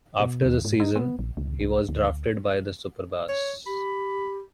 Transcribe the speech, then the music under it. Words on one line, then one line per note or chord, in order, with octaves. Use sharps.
After the season, he was drafted by the Superbas.
B2
D#2
G#2
D#4
B3
A#1
C#2
C2
D2
C#5
G4 B5